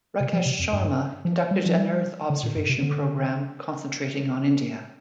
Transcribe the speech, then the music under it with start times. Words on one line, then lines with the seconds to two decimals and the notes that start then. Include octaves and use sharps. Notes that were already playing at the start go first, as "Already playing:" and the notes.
Rakesh Sharma conducted an Earth observation program concentrating on India.
0.20 C3
0.33 F3
0.46 C3
0.60 F2
0.73 G2
1.25 F3
1.51 G3
1.66 F3
1.78 G3
2.30 D3
2.43 A#2
2.56 G2
2.69 C3
2.83 D3